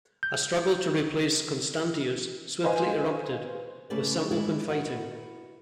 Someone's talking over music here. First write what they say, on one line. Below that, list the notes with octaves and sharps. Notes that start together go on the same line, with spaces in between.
A struggle to replace Constantius swiftly erupted, with some open fighting.
G6
B4 C5 D#5 F5 G#5
C#3 A3 C#4 G4 B4 D5
G#3 A3 E4 G#4 A4 D5
E4 F#4 A#4 B4